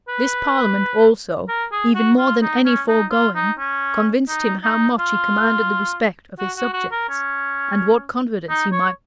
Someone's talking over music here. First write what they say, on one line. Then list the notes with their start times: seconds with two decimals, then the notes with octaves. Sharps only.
This parliament also, even more than any foregoing, convinced him how much he commanded the respect of his subjects, and what confidence he might repose in them.
0.09 B4
1.48 A#4
1.72 G#4
1.95 F#4
2.18 F4
2.42 D#4
2.65 C#4
2.88 D#4
3.11 F4
3.35 D#4
3.59 C#4
4.29 D#4
4.63 D#4
4.99 F4
6.39 F#4
6.57 F#4
6.73 F#4
6.92 A#4
7.09 C#4
8.49 D#4
8.72 C#5